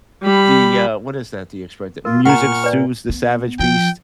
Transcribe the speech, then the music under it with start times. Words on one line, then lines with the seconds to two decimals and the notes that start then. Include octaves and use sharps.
the, uh, what is that, the expression? The "music soothes the savage beast?"
0.23 G3 B5
2.05 F4 A#4
2.25 A#2 F#5 A#5 C#6 F6
2.64 B4 D5
3.10 B3
3.59 F3 G5